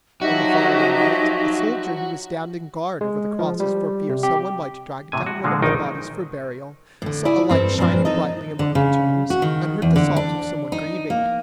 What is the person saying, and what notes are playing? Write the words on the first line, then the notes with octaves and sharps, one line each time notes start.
On the following night, a soldier who was standing guard over the crosses for fear someone might drag down one of the bodies for burial, saw a light shining brightly among the tombs, and heard the sobs of someone grieving.
F3 F#3 D#4 F#4 G4 D#5 E5
G#3
F3
G3
C3
G4
A2 C3 G#5
F#4
A#2 D3 F3 G#3
A#1 D#3 D#4 G5
A2 D3
E4 G#4 D5
G2 C4 A4
G2 A#2 F3 C4 D4
D#4 A4 D#5
D3
C#3
F#4
D#3
E2
D3
D4
D#4
A#3